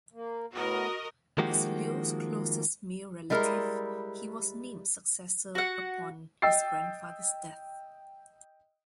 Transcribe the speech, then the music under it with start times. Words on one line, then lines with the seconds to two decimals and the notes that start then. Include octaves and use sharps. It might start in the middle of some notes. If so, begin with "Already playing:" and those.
As Leo's closest male relative, he was named successor upon his grandfather's death.
0.13 A#3
0.53 A2 B3 F#4 A#4 D#5
1.38 D#3 F3 G#3 A#3 F#4 G4
3.30 G3 G#3 E4 A#4
5.55 F#4 F#5
6.42 D#5 G5 E6 A6 C7